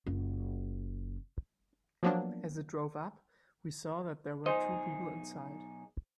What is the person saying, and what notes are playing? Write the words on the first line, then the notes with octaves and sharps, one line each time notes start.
As it drove up, we saw that there were two people inside.
F#1 F4
F3 F#3 A#3 B3 D4
B1 D#4 G#4 C5 D#5